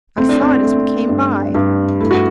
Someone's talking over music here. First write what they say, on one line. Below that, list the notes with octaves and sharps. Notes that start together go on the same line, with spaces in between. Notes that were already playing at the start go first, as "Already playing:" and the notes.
I saw it as we came by.
A3 C4
D4
C4
A3
G2
G2
A3 E4
F#4